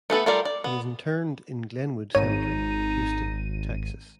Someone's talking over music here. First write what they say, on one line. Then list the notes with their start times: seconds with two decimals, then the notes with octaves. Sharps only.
He is interred in Glenwood Cemetery, Houston, Texas.
0.10 A3 B3 A4 B4
0.26 G3 A3 F4 A#4 D5
0.45 D5
0.64 B3
2.15 G#1 D#4 C#5 D#7